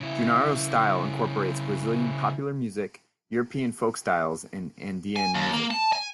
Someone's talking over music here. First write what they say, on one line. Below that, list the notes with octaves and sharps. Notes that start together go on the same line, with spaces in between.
Junaro's style incorporates Brazilian popular music, European folk styles and Andean music.
C#3 E4
G#5
D#2
A#3
A5
G#5